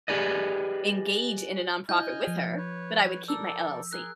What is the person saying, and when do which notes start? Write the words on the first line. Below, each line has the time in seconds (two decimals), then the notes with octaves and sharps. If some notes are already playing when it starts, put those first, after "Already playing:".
engage in a nonprofit with her, but I would keep my LLC.
0.08 G4 G#4 B4 D5 D#5
1.89 E4 D#5 G#5 F6 G6
2.27 F3
2.57 B4 C#5
3.28 A4 A#4 D5 E6
3.93 G#4 A#4 F#6